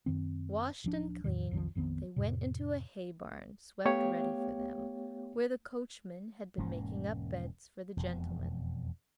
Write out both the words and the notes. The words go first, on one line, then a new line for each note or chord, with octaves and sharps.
Washed and clean, they went into a hay-barn swept ready for them, where the coachman had been making up beds for the gentlemen.
F#2 D#3 C4
D1 F3 D4
E2 A2 D#3
B1 F2 D#3 F3
A#1 F2 D#3 B3
F2 A2 C3
A3 B3 G4 C#5 F5 G5
E1 G#2 A#3 C#4
E1 F2 B2